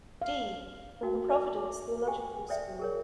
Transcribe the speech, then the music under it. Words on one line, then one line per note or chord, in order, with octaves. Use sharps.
D. from The Providence Theological School.
F5
D#4 F#4 A#4 G5
D5 E5
E5 D6
G4 G5 G#5
A4 C5 D5 E5 G5
G#4 A#4 C#5